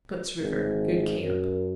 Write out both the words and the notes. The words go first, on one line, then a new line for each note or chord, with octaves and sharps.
Soot's River.--Good camp.
G#1
F#2